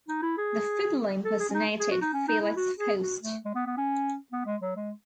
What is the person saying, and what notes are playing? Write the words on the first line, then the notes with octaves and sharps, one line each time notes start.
The Fiddler impersonated Felix Faust.
D#4
E4
G#4
A4
G#4
C#4
D#4
G#4
F#4
D#4
C#4
D#4
E4
F#4
G#4
F#4
A3
G#3
B3
B3
C#4
B3
G#3
F#3
G#3